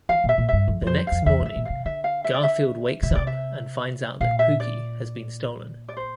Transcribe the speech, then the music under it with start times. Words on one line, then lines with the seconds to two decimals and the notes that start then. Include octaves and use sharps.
The next morning, Garfield wakes up and finds out that Pooky has been stolen.
0.09 E3 F5
0.24 A#2 E5
0.38 A#2
0.49 G2 E5
0.68 F2
0.82 F2 C5
1.07 F2 F5
1.26 E2 E5
1.41 A2 E5
1.56 A#2
1.65 C3 F5
1.85 D3 E5
2.04 F5
2.24 E5
2.34 D5
2.43 E5
3.03 C3 E5
3.11 D3
3.15 C3 D5
3.27 E5
4.20 A#2 F5
4.39 E5
4.60 D5
5.88 D5
5.97 C5